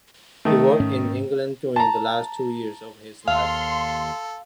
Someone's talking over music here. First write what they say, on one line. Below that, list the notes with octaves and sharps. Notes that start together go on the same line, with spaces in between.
He worked in England during the last two years of his life.
D#3 A3
G#2 C#4
A5 A#5
D#2 A4 F5 C6